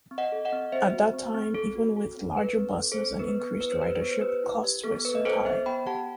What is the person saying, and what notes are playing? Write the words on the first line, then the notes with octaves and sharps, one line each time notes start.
At that time, even with larger buses and increased ridership, costs were still high.
C4
D#5 F#5
A4
D#5 F#5
C4
C4 C5 E5
F#4
C4
C4
C4 A4
F#4
A4
C4
A4 B4
C4
A4
A4 C5
C4
B3 B4
B3
E4 B4
C5
G4 B4
B3 B4
C5
G4 B4
E4
G4
B3 A4
B3 B4
D#5
B3 A4 C5
B3 C5 E5
B3 G5 B5
G4 F#5 A5